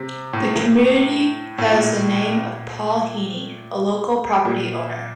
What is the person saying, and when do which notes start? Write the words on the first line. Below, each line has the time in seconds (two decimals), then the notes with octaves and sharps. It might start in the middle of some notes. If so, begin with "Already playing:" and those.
The community has the name of Paul Heeney, a local property owner.
Already playing: C3
0.33 A2
1.58 A2
1.71 A#2
4.45 A#2